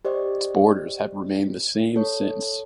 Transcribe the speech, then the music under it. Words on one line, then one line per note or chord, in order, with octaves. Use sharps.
Its borders have remained the same since.
G4 C5 D5 D#5
A4 C#5